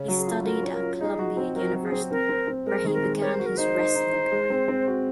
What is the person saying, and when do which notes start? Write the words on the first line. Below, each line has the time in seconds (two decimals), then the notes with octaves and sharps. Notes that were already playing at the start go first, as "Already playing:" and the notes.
He studied at Columbia University where he began his wrestling career.
Already playing: C#3 C#4
0.08 F#3
0.18 G#4
0.27 F4
0.45 F#3 A#4
0.64 C#4
0.73 A#4
0.82 F4
1.01 D#4 G#4
1.19 F#4
1.37 C4
1.55 F#3 A#4
1.73 F#3
1.83 G#4
1.92 C4
2.11 C4 A#4
2.29 C4
2.47 C4
2.66 G#3 A#4
2.84 D#3 G#4
2.94 A#4
3.03 G#3
3.21 A#4 C#5
3.34 C5
3.39 F#4
3.46 A#4
3.57 D#4 C5
3.76 D#4
3.95 D#4
4.13 D#4
4.32 G#3
4.50 C4
4.68 C4
4.87 F#4